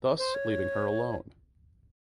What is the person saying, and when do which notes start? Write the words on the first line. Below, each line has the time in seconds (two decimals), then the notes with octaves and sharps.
Thus leaving her alone.
0.18 C5
0.34 C#5